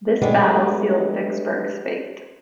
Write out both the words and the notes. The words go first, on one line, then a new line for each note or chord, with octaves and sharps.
This battle sealed Vicksburg's fate.
F#3 G#3 A3 B3 D4 G4